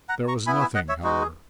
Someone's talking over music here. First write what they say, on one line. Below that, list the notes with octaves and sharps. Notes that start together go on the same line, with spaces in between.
There was nothing, however.
F#5 A#5
A#5 C#6
B3 E4 G#5 B5
E5 G#5
D#5 F#5
C#5 E5
G#3 D#4 F#4 G#4
G#4